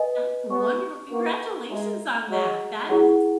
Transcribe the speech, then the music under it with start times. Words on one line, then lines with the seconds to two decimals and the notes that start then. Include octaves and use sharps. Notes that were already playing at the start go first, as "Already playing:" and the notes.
That's wonderful. Congratulations on that. That is
Already playing: B4 D#5 G#5
0.50 B3 C#5 G#5 C#6
1.10 A#3 F#4 B4 F#5 C#6
1.70 G#3 C#5 E5 A#5
2.29 F#3 G#4 D#5 F#5 A#5
2.88 F#3 E4 G#4 C#5 F#5